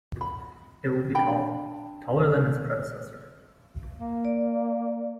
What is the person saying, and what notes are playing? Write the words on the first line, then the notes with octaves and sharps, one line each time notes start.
It will be tall, taller than its predecessor.
B5
D4 G5 B5
A#3
D5